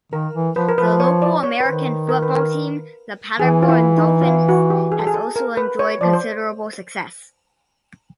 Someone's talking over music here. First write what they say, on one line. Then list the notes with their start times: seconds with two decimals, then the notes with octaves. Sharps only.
The local American Football team, the Paderborn Dolphins, has also enjoyed considerable success.
0.12 D#3 A#4
0.35 E3
0.56 F3 B4
0.69 A#4
0.78 F3 B4
1.00 C#5
1.22 D5
1.43 C#5
1.60 B4
1.65 D#3 C5
2.09 A#4
2.22 B4
2.36 A#4
3.40 E3 G#4
3.62 F4
3.69 E4
3.98 D#4
4.22 F4
4.27 E4
4.49 F#4
4.70 G4
4.92 G#4
4.99 A4
5.07 G#4
5.14 A4
5.36 A#4
5.57 B4
5.79 C#5
6.01 F3 D5
6.13 C5